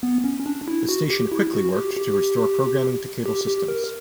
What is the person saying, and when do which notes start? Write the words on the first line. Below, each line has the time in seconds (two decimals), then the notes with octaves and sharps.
The station quickly worked to restore programming to cable systems.
0.03 B3
0.24 C#4
0.46 D4
0.68 E4
0.89 F#4
1.10 G4
1.32 E4
1.54 F#4
1.75 G4
1.97 G4
3.26 G4
3.47 G4
3.68 A#4